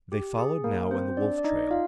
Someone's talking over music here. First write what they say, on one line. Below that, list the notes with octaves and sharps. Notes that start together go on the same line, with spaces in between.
They followed now in the wolf trail.
G4
G#4
A#3 A#4
C4 C5
D4 D5
D5
D#4 D#5
F4 F5